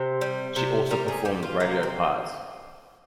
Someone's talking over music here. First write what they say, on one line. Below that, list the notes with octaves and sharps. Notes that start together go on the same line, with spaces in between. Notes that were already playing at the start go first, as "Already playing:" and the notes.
She also performed radio parts.
Already playing: C3 C5
G3
C3
G3 A#4
G#4
G3 G4
F4
C3 A#3
C4